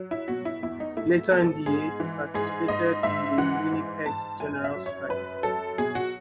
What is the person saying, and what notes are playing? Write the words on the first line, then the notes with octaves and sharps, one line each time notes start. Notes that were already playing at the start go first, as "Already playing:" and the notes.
Later in the year, he participated in the Winnipeg General Strike.
Already playing: F#3
E4
B2 F#4
E4
E2 E4
D#4
A3 E4
B2 A4
G#2 G#4
E3
G#2 G#4
G#2 D#5
G#2 E5
E3 F#5
G#2
G#2 A5
F#2 G#5
E5
F#3
C#5
F#2 B4
F#3 A4
B2 G#4
F#4